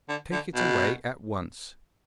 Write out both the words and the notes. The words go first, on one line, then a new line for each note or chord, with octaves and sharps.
'Take it away at once!'
D3
D3
B2